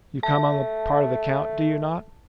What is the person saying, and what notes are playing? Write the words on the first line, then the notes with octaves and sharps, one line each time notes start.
"You come on the part of the count, do you not?"
A3 A5